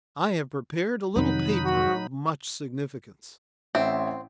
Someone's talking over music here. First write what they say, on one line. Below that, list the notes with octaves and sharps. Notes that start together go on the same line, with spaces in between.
I have prepared a little paper of much significance.
F2 C3 D#3 F#3 D#4 B5
F#4
A1 C4 E5